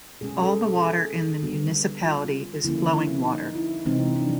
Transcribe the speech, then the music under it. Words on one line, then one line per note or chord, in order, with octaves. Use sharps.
All the water in the municipality is flowing water.
B2 G#3 C#4 G#4
A4
A4
G#4
D3 G3 B3 F#4
F4
D3 F3 A#3 C#4 E4
E4
D#4
E4
C3 E3 G#3 C4 D#4
D4